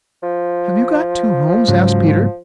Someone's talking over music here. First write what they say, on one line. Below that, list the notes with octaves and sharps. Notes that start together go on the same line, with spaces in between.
"Have you got two homes?" asked Peter.
F3
G#2 C#3 F#3